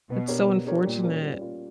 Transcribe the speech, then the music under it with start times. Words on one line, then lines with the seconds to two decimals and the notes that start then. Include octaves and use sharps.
It's so unfortunate.
0.10 B2 B3
0.28 D4 G4 A#4 C#5
0.47 B3
0.66 D4 G4 A#4 C#5
0.84 A#2 G3
1.04 A#3 C#4 F4
1.22 G3
1.41 A#3 C#4 F4